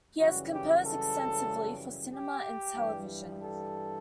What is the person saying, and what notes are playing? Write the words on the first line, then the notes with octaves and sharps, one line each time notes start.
He has composed extensively for cinema and television.
F#2 C#3 E3 G3 F#4
G4
A4
G4
G2 E3 G3
A4